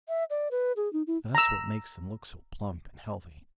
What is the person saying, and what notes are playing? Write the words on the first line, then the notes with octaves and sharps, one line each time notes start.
That's what makes them look so plump and healthy.
E5
D5
B4
G#4
D#4
E4
A#5 E6